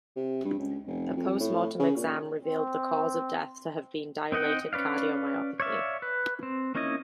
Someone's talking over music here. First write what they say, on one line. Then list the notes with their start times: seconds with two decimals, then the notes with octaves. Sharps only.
A post-mortem exam revealed the cause of death to have been dilated cardiomyopathy.
0.16 C3
0.45 G2
0.59 C#2
0.87 F1
1.17 F2
1.40 A2
1.79 C#3
1.96 A#2
2.43 C4
4.32 C4 D#4 D#5 F#5 G5
4.73 C#4 B4 D5 F5
5.60 C#5 D5 E5 F5
6.02 B4
6.43 C4
6.75 A#3 C#4 D#4 E4 D#5